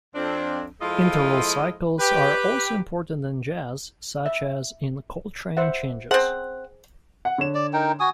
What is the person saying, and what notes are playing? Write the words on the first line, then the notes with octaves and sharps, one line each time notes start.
Interval cycles are also important in jazz, such as in Coltrane changes.
F2 C4 D4
F3 G#3 E4 F4 A4 D#5
G4 B4
E5
C5 E5 F#5
C4 G#4 C5 F#5 A5
F#5
D3 C#5 E7
D5
D#4 A#4 G5
F#4 G#5 D#6